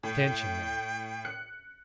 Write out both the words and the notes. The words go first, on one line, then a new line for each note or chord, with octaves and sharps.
"Attention, then!"
A2 G5
F#6 C#7